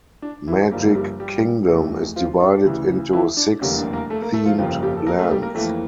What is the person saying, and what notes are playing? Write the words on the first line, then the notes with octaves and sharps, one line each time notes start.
Magic Kingdom is divided into six themed lands.
D4
E3 E4
G1 G2 F3 G3 A#3 G4
G3 G4
G3 G4
F1 E2 E3 A3
F3 F4
D4
D2 C#3 E3
E3 E4
D4
F1 E2 D3 G3 A#3 C#4
D4
A#3 A#4
A3 A4
A#3 A#4
A3 A4
F3 F4
G1 F2 C#3 F3 G3 A#3 F4
G3 G4
A4
A#3 A#4
A3 A4
G3 G4
A#3 A#4
F2 E3 A3 A#3 A4